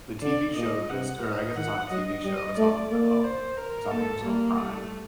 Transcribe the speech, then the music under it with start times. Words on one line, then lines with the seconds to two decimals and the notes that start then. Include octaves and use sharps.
the TV show just or I guess it's not a TV show, it's on, um it's on Amazon Prime.
0.22 D3 D5
0.56 A#2 D#5
0.90 C3 F#5
1.23 D#5
1.56 D#3 F#5
1.90 F#3 D#5
2.24 G3 D#5
2.57 A3 D5
2.91 A#3 D5
3.24 C5
3.57 A#4
3.91 A#3 A4
4.24 G3 A#3
4.58 G3 A3